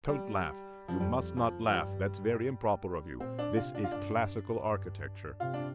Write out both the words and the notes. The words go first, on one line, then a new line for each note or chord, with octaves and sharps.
Don't laugh; you must not laugh, that's very improper of you, this is classical architecture.
G3
F3
F2 G3
F3
F3
G2 G3
A#2 C4
D4
C3 F4
D4
F4
G2 D4
G2
C3 F4
D4